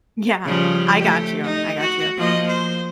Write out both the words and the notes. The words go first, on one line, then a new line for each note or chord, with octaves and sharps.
Yeah. I got you. I got you.
C#3 F3 G3
A3 G4
D#4
F#4
F3 A#3 D#5
C5